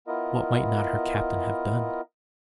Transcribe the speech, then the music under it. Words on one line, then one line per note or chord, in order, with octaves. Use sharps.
What might not her Captain have done?
B3 E4 F4 A#4 D#5